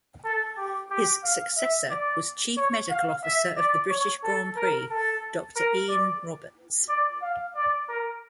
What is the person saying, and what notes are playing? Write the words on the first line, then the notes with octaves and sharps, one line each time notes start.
His successor was Chief Medical Officer of the British Grand Prix, Doctor Ian Roberts.
A4
G4
G4
F5
E5
D5
C#5
F5
E5
D5
C#5
A4
A#4
A4
A#4
D5
D5
F5
D5
A#4